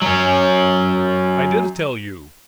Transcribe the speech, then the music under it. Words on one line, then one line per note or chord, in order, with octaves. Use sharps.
I did tell you.
F#3 C#4